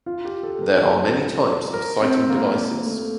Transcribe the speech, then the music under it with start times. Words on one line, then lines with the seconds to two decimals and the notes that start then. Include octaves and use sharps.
There are many types of sighting devices.
0.06 F4
0.25 G4
0.43 A4
0.62 A#4
1.73 A#4
2.01 C4
2.29 A#3
2.57 A#3
2.85 A3